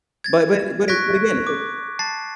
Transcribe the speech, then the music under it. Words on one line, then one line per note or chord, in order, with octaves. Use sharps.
But but but a but again, it's like
G#6 A6
C#6 F#6 G#6 A#6 B6 D7
D6
A5 A6 C7